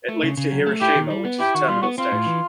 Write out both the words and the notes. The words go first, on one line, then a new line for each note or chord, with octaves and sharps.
It leads to Hiroshima, which is a terminal station.
A3
C#3
C#3
F#3
A3
E4 G4
D#3
G3
B3
E4 G4
D#3 F#4
G3 F4
B3 F#4
C4 F4
A2
E3